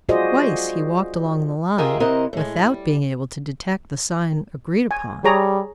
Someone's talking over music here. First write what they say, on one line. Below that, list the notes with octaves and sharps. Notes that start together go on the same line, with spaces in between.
Twice he walked along the line, without being able to detect the sign agreed upon.
F4 F#4 G#4 C5 D5 D#5
F4 G4 G#4 A#4 D#5 E5
C3 C4 E4 A#4 D#5 F#5
A2 G#3
G3
G#5
G3 G#4 C#5 A#5